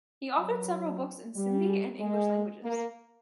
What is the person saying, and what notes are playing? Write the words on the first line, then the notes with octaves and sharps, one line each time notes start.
He authored several books in Sindhi and English languages.
F#3
G3
G#3
A#3